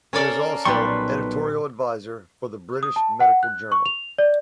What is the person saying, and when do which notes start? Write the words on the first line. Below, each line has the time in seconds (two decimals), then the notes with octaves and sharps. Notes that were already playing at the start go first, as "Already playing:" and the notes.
He is also editorial advisor for the British Medical Journal.
0.13 A#3 C#4 A4 A#4 D5
0.65 B1 A#2 G3 B4 C6 C#6
2.83 D#6
2.96 A5
3.20 F#5
3.43 F#6
3.72 C#6
3.86 F7
4.18 D5